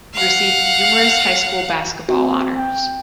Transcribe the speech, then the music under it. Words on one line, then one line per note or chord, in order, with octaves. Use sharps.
He received numerous high school basketball honors.
F5 F#5
C4 F#4
G5